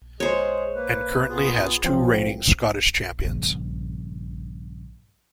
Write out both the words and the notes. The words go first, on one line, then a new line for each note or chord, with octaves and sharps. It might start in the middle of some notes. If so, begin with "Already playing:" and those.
And currently has two reigning Scottish champions.
G#3 G#4 C5 C#5
A#3 B4
B3 F4 G#4
F3 F#3 C4
A#1 G2 C#3